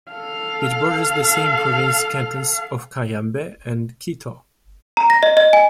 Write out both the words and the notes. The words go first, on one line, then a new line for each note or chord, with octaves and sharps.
It borders the same-province cantons of Cayambe and Quito.
A4 F5
A#5
A#6
D#5
D#5
G#5